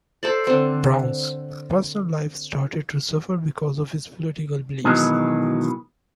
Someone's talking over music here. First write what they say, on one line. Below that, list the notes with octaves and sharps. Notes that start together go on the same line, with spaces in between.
Brown's personal life started to suffer because of his political beliefs.
A4 C5 D5
D3 C4
B2 D#3 E3 F#3 G#3 B3